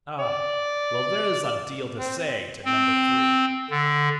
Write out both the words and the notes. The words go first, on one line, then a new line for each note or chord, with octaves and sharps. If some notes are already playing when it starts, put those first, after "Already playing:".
Ah, well, there's a deal to say to number three.
D5
C4
C4
D3